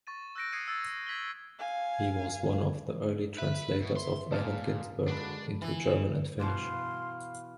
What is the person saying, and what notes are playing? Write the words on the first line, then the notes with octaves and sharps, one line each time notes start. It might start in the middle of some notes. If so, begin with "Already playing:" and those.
He was one of the early translators of Allen Ginsberg into German and Finnish.
C#6 A6 D#7
E6 F#6 G6 A#6 C#7 D7
D#6 G#6 C7 C#7 D#7
E6 A6
G#6 B6 F#7 G7
F5 G#5
B4 E5
B2
C6
F#2 A#2 F5 A5
D3 G#3 D4 F#4 B5
E3
B2 E3 F5 C6